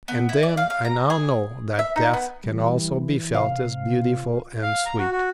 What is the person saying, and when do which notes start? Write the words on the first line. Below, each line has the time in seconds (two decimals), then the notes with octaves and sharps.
And then I now know that death can also be felt as beautiful and sweet.
0.08 B3
0.29 E4
0.43 D5
0.57 F5
0.70 F5
0.85 A#5
1.10 G#4
1.79 E5
1.96 D#4
2.14 B3
2.44 E3 G3
3.34 C3 F5
3.93 F4
4.63 F5
4.86 A#5
4.98 F#4
5.11 F#4